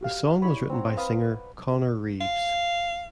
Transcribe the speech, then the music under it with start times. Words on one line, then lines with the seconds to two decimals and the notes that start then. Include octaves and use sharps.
The song was written by singer Conner Reeves.
0.01 F#4 G4 F5
0.42 E4 G4 C#5 D5 B5
0.70 C4 F#5 A#5
0.97 B4 F5 B5 D#6
2.21 F5